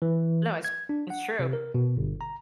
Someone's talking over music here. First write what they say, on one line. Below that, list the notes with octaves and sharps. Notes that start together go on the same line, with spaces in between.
No, it's it's true.
E3
G#6
D4
F#5
C3
A#4
B2
G1
A#5